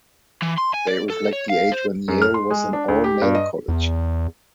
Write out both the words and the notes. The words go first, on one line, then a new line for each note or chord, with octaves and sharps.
They reflect the age when Yale was an all-male college.
E3
C6
G#5
D5
A4
C#5
F5
C5
F#2
F6
C6
G#3
D4
D2
G4
G2
D#5
E2